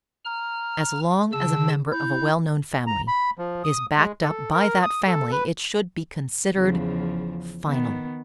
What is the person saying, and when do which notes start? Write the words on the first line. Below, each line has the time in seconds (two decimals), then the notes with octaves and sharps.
"As long as a member of a well-known family is backed up by that family it should be considered--final."
0.25 A#5 F6
1.33 C#3 A5 E6
1.92 E4 G6
2.87 A#5
3.08 B5
3.39 F3
3.64 D#6
3.98 G#3
4.21 A4
4.52 A#4
4.82 D#6
5.07 A4
5.32 B4
6.55 E2 C#3 F3
7.64 D#3 B3